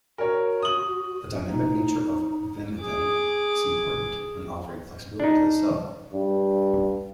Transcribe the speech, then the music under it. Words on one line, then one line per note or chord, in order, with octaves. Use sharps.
The dynamic nature of vimentin is important when offering flexibility to the cell.
F#4 A#4 C#5
D#6 F#7
D#4
G#4 D6
D4 D#4
G2